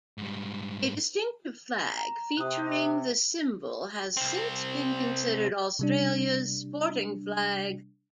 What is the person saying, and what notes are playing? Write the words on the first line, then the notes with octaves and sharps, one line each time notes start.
A distinctive flag featuring the symbol has since been considered "Australia's sporting flag".
G#2 G3
A#5
C3 D#6 F#6
C2 C4
C3 G3 D4